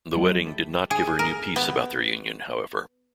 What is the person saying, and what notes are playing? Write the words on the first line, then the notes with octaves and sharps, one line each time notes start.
The wedding did not give her new peace about their union, however.
F#3 G#3 A3 F4 F#4 G#4
E4 G4 A4
G#4
A#4
B3